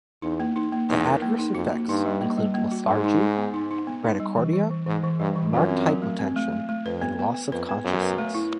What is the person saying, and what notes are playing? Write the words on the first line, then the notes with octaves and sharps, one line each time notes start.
The adverse effects include lethargy, bradycardia, marked hypotension and loss of consciousness.
E2 D#4
A#3
D#4
A#3
E2 D#4
A#4
A#3
D#4
F2 F#4
A#3
G2 D#4
G3
A#3
G3
A#3
F#4
G#2 D#4
D#4
D#4
B3
D#4
D#4
B3
D#4
G3
E3
E3
E3
G#2 E3
E3
G2 G3
E3
F#2 F4
C4
F#3
A3
C4
A3
A3
A3
F2 B4
B3
B3
B3
F2 B4
B3
F#2 B3
B4
A3
E4